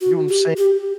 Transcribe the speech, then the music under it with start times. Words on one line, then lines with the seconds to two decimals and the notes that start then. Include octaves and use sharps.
You know I'm saying?
0.01 F#4
0.29 G4
0.57 G4